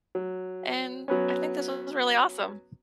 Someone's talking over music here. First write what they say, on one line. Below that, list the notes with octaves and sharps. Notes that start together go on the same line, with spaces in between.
and I think this was really awesome.
F#3
F#3 B3 C#4